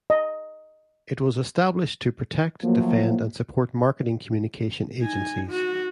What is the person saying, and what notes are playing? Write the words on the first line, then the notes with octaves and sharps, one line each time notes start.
It was established to protect, defend and support marketing communication agencies.
D#5
F3 F#3 A3 A#3
D#4 G#5
D#4 F#4